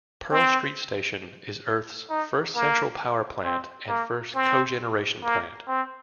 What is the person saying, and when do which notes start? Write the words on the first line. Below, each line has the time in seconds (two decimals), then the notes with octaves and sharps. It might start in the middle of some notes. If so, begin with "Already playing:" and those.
Pearl Street Station is Earth's first central power plant, and first cogeneration plant.
0.31 C4
2.10 D#4
2.55 A#3
3.45 C4
3.89 A#3
4.35 C4
5.24 A#3
5.68 C4